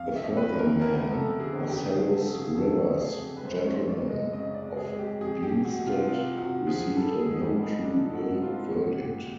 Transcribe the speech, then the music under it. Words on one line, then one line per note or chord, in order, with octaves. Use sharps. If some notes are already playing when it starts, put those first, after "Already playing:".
A further man, Marcellus Rivers, gentleman, of Benstead, received a "no true bill" verdict.
Already playing: F2 F5
E5
F2
B4
F2
A#4
B3 A#4
F2 A4
D3 G#4
C#3 G4
G#4
F#3
A4
C#3
G#4
F#3 A4
C#3
G#4
F2
B4
F#2 C5
C5
C#5
F#2
D5
G#3
D#5
C#3 D#5
D5
G#3
G#4
G#3
G4
F2 G#4
G4
F2
F#4
C3
F4
C3 F4
C3 F#4
F3 G#4
G3 A4
G#4
G#2
G4
G3
D#4
G3 D4
G#2 F#4
C4 F4
A#2 F#4
A#2 G4